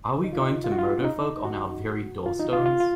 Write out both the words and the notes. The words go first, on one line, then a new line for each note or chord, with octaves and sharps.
Are we going to murder folk on our very door-stones?
D#4
F4
D#4
F4
F#4
F4
C#4
D#4
F#4
F4
D#4
F4
F4
F4